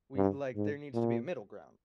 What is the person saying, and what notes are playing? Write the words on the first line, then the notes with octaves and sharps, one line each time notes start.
We like, there needs to be a middle ground
G2
G#2
A#2